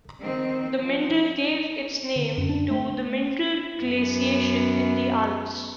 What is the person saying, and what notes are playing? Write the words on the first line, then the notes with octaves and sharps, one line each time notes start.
The Mindel gave its name to the Mindel Glaciation in the Alps.
D#3 C4
F3
D3
F#2
D4
A3
F#2 B3